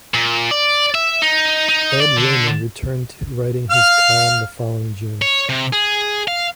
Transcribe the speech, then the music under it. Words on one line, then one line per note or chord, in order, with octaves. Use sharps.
Ed Raymond returned to writing his column the following June.
A#2
D5
E5
D#4
D#4
D5
D3
F5 F6
C#5
C3
G#4
F5